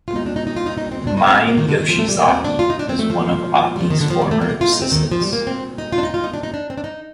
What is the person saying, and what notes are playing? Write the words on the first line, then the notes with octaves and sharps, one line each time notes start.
Mine Yoshizaki is one of Aki's former assistants.
F4
D#4
D4
D#4
D#4
F4
D#4
D#4
C4
D4
D#4
C4
A#3
D#3
D3
D#3
F3
A3
G3
A#3
C4
D4
F4
D#4
D4
C4
A3
F3
G3
F3
D#3
D3
F3
G3
A3
A#3
F4
D#4
C4
D#3
F3
G3
A#3
C4
D#4
F4
D4
D#4
F4
D#4
D4
D#4
D4
C4
D4
D#4